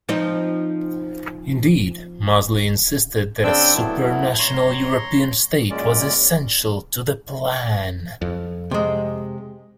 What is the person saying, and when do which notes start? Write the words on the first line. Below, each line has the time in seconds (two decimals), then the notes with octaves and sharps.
Indeed, Mosley insisted that a supranational European state was essential to the plan.
0.09 F3 C4 D#4
3.44 C#3 C4 D4 D5 G5 E6
3.75 F#3 A3 B3 E4
4.39 C#5 A#5 C6
5.70 F#2 A#2 G#3 C#4 D5
8.22 F2
8.71 C3 G#3